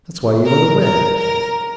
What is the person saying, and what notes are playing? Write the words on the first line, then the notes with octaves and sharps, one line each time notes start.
That's why he went away.
A#4
A#4
A#4